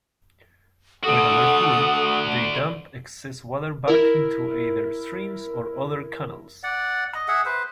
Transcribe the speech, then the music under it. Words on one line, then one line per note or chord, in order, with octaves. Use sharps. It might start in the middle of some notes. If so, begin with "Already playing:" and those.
When over full, they dump excess water back into either streams or other canals.
D3 F#4 A4 F#5 D#6
E4 A#4
D5 F#5
D#5
G#4 E5 F#5
B4 C5